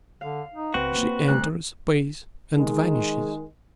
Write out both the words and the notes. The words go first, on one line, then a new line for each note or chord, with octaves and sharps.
She enters, pays, and vanishes.
D3 F5
D#4
C#2 C4 F#4 B4
A#3 C#4
D2 G3 C4 F#6
D#3 G#3